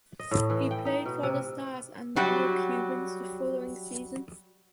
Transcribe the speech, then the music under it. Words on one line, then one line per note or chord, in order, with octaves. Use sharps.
He played for the Stars and the All Cubans the following season.
D#5
A2
E3
G5
D#4
B2
C3
F#3 G3 F#4 G4